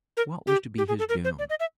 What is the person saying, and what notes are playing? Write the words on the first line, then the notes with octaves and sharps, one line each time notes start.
What was to be his doom?
A#4
G4
G4
G#4
A4
A#4
C5
D5
D#5
E5